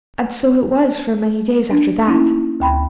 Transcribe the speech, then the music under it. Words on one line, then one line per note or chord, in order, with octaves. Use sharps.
And so it was for many days after that.
D4
A#3 C#4 D#4 E4
D2 G5 B5 C6